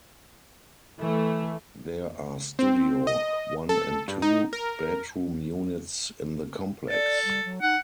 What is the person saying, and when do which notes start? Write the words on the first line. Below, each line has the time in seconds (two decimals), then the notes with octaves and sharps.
There are studio, one, and two bedroom units in the complex.
1.00 E3 A3
2.59 C4
3.07 D#5
3.69 A4
4.08 G2
4.22 D#4
4.53 A#4
6.89 A4 D5
7.25 G3
7.44 F#3
7.62 D#4 F#5